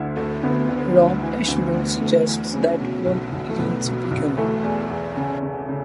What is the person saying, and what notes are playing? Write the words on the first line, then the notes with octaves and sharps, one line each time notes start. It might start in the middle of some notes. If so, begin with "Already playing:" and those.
Rob Eshman suggests that Wolpe leans vegan.
Already playing: D2 D3 E4
D2 A3
D2 B3
D2
D2
E3
D2
D2
D2 A3
E3
C#3
B2
B1
B1
A3
B1 B3
B2
B1
E3 A3
E2
E2
C#3
C#3
C#3